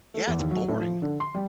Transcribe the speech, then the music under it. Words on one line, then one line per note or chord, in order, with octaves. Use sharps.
Yeah, it's boring.
A3
E2
D#2
F#3
A2
F3
D3
C6
G3